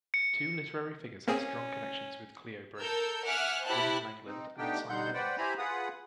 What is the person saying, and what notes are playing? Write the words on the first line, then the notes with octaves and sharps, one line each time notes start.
Two literary figures have strong connections with Cleobury: William Langland and Simon Evans.
C#7
A#3 C4 C#4 G#4
A4 A#4 E6 G6
E5 F#5 G#5 D6 F6 F#6
E4 G4 C5 E5 A5 F#6
C4 D#4
A3 B3 D4 D#4 G4 G5
D3 G3 D#4 F#5 C6 G6
B4 C5 D5 F#5 G5
E4 G4 C5 G#5 A#5 B5
F4 G#4 B4 F#5 D#6